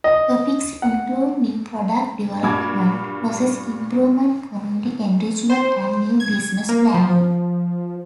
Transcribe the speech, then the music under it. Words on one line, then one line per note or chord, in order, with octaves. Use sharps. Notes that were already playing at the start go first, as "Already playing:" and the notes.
Topics include new product development, process improvement, community enrichment, and new business planning.
D#5
F#5
G2 A#2 F#4 D6 G#6
C5
G#6
A#3
F3